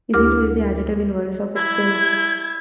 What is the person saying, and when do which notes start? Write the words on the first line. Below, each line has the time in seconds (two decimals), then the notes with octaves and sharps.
Zero is the additive inverse of itself.
0.14 D2 E4 G4 A#4 D6 F6
1.56 E4 G#6